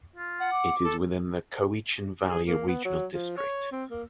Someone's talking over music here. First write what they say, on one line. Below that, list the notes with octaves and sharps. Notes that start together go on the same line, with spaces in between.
It is within the Cowichan Valley Regional District.
F4
F#5
D6
A4
G#4
A#3
B3
F#3
F3
C#5
C4
A#3